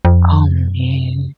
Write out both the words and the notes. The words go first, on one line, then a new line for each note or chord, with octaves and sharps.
Oh, man.
F2
F#2